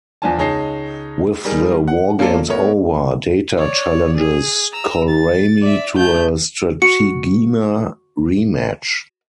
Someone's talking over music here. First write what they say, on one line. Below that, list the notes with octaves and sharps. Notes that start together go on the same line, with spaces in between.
With the wargames over, Data challenges Kolrami to a Strategema rematch.
E2 F3 D4 F4 G#5 A5
C#2 G#3 D#4 C#5 A5 C7
G3 D#4 G#4 A#4
F#5
A#3 C#4 F4 A4 D5
A3 B3 A#4 C#5
C#5 D5
G#4
A#5 E6
A6
D5 E5
A3 G6
F#4 C#7